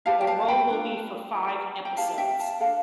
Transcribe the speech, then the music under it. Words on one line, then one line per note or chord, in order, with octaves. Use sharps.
The role will be for five episodes.
E4 G4 B4 F5 A5
G5
F5 A5
G5 B5
D4 F4 A4
E4 B4
G5
E4 G4 B4 F5 A5
E5 G5
F5 A5
D4 A4 F5 A5